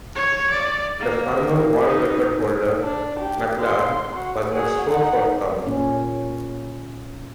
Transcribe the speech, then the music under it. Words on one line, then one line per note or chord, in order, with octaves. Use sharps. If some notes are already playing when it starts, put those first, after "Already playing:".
The former world record holder MacLaren was not so forthcoming.
C#5
D5
A#3
D#4
D4
G4
C6
F#4
F#4 G#4
D#4 F#5
A#2 C#4